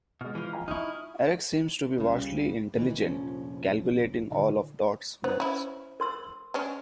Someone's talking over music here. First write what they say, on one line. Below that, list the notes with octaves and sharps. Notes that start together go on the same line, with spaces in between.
Eric seems to be vastly intelligent, calculating all of Dodd's moves.
B2 G#3 F6
E3 F3
G#5 A#5
D#4 E4 C#6 D#6 F6
C#2 C#3 G3
D2 A#2 D#3 E3
F1 A#1 F3 C#4
A#2 D3 D#3
B3 C5
C#4 E4
A#4 C6 E6
G#3 C#4 D4